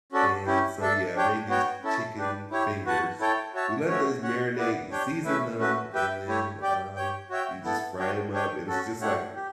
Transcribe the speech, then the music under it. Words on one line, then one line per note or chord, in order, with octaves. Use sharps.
and so, yeah, made these chicken fingers. We let those marinate, you season them, and then, um, you just fry 'em up and it's just like re
C#4 F#4 A4 D5
C#4 E4 G4
D4 A4 E5 A5
D4 G4 C#5 G5
B3 F#4 C#5 G5
C#4 E4 A4 E5 A5
D4 G4 B4 D5
E4 G4 C#5
F#4 B4 F#5 A5
E4 A4 C#5 G5
F#4 C#5 E5 A5
A3 C#4 F#4 C#5
C#4 F#4 C#5 F#5
B3 E4 B4 D5
D4 G4 C#5 G5
A3 C#4 E4 B4 E5
A3 C#4 F#4 B4
G4 B4 E5 G5
A3 E4 G4 C#5
G4 D5 G5
G4 C#5 G5
F#4 C#5 E5 G5
B3 E4 A4
D4 F#4 C#5 G5
D4 G4 C#5 G5
C#4 F#4 A4
A3 D4 G4 C#5 F#5
G4